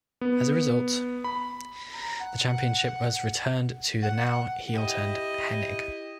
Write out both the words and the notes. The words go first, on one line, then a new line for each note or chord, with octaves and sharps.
As a result, the championship was returned to the now heel-turned Hennig.
B3
B5
A#5
F#5
F#5
E4 G4 D#5